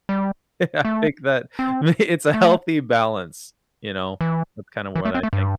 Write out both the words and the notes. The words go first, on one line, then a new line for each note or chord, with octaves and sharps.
I think that may it's a healthy balance, you know? That's kinda what I think.
G3
A3
C4
A3
E3
E3
A3
C4
A3
G2